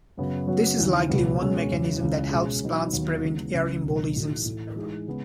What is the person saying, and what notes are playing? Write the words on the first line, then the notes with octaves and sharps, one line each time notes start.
This is likely one mechanism that helps plants prevent air embolisms.
F#2 C#3 F#3 B3
C#3 F#3 B3 F#4
D#2 C#3 E3
C#2 B2 F#3 B3
B2 G#3 C#4 F#4 C#5
E2 C#3 F#3
C#2 C#3 E3
B2 G#3 C#4 G#4
B2 F#3 B3 D#4 F#4
D#2 D#3 F#3 B3 F#4
C#3 E3 G#3 B3
C#2 C#3 F#3 C#4
C#2 B2 F#3
A2 E3 A3 D#4 F#4
A2 E3 A3
E3 G#3 D#4 G#4
C#3 G#3 B3